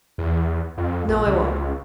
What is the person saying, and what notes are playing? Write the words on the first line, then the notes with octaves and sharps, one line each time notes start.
No, I won't.
E2
F2
A#1
C#2